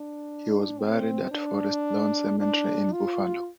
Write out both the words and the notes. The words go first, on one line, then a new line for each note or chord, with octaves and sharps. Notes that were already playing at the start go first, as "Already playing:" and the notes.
He was buried at Forest Lawn Cemetery in Buffalo.
Already playing: D4
C4
D4
D4
F4